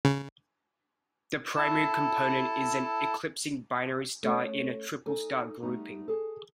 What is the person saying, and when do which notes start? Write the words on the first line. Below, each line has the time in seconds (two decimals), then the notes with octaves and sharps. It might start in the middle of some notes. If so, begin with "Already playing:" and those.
The primary component is an eclipsing binary star in a triple-star grouping.
0.05 C#3
1.56 E4 A4 A5
4.23 A3 C#4
5.06 D#4 A4 G#5
5.63 G3 A3 B3 D#4
6.08 G#4 A4